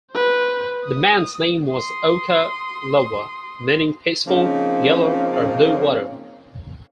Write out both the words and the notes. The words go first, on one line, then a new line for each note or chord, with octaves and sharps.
The man's name was "Oka-laua," meaning peaceful, yellow, or blue water.
B4 C5
D#6
C6 D#6
C#3 F3 A#3 C4 C#4 D#4